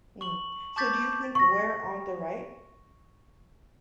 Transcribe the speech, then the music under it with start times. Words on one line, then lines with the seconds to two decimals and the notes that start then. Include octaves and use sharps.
Mm. So, do you think we're on the right?
0.21 C#6 F#7
0.76 A5 C#6 D6 G6 A6 B6
1.35 C#6 A#6